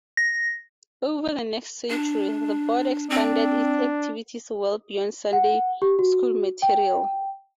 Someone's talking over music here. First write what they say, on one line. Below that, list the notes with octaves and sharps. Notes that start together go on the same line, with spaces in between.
Over the next century, the board expanded its activities well beyond Sunday School material.
A#6
D4
C4 D4
F#5
G4
F#4
G5